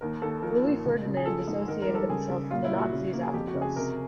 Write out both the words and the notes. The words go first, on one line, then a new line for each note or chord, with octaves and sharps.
Louis Ferdinand dissociated himself from the Nazis after this.
D#2 A#4
D#2 A4
F3 A#4
A#2
C#2
C#3
G#4
F3 A4
G#2
D#3 A#4
A#4
G3
A4
C#3 G#4
C#3
A#2 F4
E4
A#2
F#4
C#3
A#3
G#4
F2 G4
F#4
C#3
G#4
C3 A#4